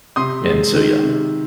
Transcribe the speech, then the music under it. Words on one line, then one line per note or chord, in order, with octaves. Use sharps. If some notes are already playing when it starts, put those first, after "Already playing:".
and so, yeah.
C3 C6 D#6
G#3
D#3
C3